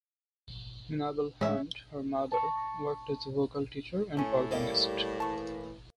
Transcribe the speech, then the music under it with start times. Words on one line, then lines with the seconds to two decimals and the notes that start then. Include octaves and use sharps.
Minabel Hunt, her mother, worked as a vocal teacher and organist.
1.41 A2 G#3 C#4 E5
2.32 A5 C#6
4.17 A2 A3 C#4
4.51 G3 A#3 G4
5.20 E3 A5 C#6